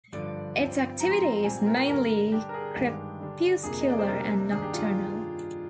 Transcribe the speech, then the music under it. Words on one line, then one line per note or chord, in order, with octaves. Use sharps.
Its activity is mainly crepuscular and nocturnal.
G2 D3 F3 D5
G2 F3 C4
G#2 F3 C4 A#5
C6
A#5
A#5
A#2 G3 C4 G#5
A#4
G2 D3 G3 A#4
D3 G3 D4 G4
A#4
G#4
G2 D#3 G#3 D4 G4
D3 G3 D4
F2 C3 F3 A#3 D4 G#4
D#5
D5
C5
C3 G3 A#3 D4 A#4
G2 D#3 A#3 D4 G#4
G4
F4